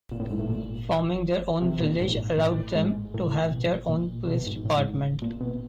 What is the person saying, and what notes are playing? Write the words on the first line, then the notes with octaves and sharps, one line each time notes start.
Forming their own village allowed them to have their own police department.
A#2
A2
G#2
A2
A#2
C3
A#2
G#2
A2
G#2
A2
B2
A#2
B2
G#2
A2
G#2
A#2
B2